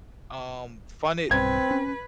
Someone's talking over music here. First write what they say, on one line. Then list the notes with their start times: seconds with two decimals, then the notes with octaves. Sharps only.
um, funded
1.31 B1 G2 C4 B4 G#6
1.71 C#4